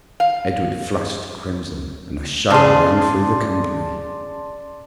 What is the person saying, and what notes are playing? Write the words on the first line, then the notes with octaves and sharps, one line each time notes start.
Edred flushed crimson, and a shudder ran through the company.
F5
C#3 G#4 D5 A5 C6